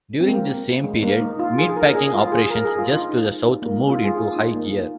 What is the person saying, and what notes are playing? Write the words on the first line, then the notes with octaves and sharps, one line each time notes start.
During this same period, meatpacking operations just to the south moved into high gear.
C4
A#3
G#3
A#3
D#4
F4
G#4
A#4
G#4
F4
G#4
A#4
G#4
F4
D#4
A#3
D#4
F4
G#4
F4
D#4
A#3
A#3